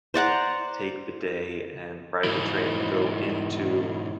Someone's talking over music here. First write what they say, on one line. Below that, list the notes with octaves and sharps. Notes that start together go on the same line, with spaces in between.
take the day and ride the train, go into,
C5 D5 F#5 A#5
G#2 E3